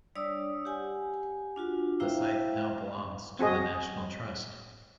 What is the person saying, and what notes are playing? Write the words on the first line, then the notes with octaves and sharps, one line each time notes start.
The site now belongs to the National Trust.
G3 D4 C#5 D5 D#6 E6
G4 F#5 G#5
D4 F4 F#4
E4 C5 E5 F5 G5 A#5
C4 F#4 G#4 D#5